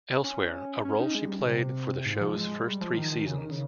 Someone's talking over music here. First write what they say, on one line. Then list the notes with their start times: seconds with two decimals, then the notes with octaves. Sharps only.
Elsewhere, a role she played for the show's first three seasons.
0.24 C#4
0.85 C#4
1.00 D#4
1.15 G#3
1.25 G3
1.46 C3
2.06 G#2
2.21 F3
2.35 G#3
2.66 G3
2.81 F3
2.97 D#3
3.12 D#3
3.27 C#3
3.39 D#3
3.51 C#3